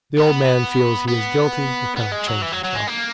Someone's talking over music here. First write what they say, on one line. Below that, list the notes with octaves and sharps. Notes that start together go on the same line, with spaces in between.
The old man feels he is guilty, but cannot change himself.
B3
B3
B3
G#3
F#3
E3
F#3
F#3
G#3
A#3